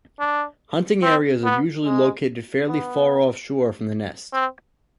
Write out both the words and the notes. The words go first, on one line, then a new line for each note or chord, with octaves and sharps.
Hunting areas are usually located fairly far offshore from the nest.
D4
C4
B3
G#3
B3
C4